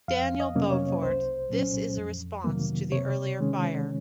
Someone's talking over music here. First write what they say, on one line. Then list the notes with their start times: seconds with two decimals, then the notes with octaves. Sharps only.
Daniel Beaufort, this is a response to the earlier fire.
0.08 F2 F5
0.40 D#5
0.55 C3 F#3 A#3 C#4
0.71 C#5
1.02 C2 C5
1.50 A#2 F#3 C#4
1.97 F2
2.44 C3 D#3 F#3 A#3
2.92 C3 C#5
3.40 D#3 G#3 C#4